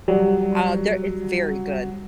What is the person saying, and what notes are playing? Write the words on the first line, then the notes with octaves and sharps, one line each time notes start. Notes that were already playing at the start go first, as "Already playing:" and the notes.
Uh, they're it's very good.
F#3 G3